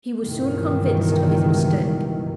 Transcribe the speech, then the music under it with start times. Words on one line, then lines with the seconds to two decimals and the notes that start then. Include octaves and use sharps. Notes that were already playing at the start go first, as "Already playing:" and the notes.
He was soon convinced of his mistake.
0.23 C#2 G2 B2 D#3 E3